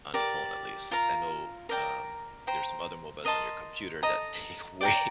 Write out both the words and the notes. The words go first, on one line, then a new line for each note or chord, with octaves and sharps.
on the phone at least, I know, um, there's some other MOBAs on your computer that take way
G4 A#4 D5
F4 A#4 F5 A#5
A#4 D5 G5 A#5
C5 G5 A#5
A#4 D#5 A5 C6
A4 D#5 A#5
D5 G5 A#5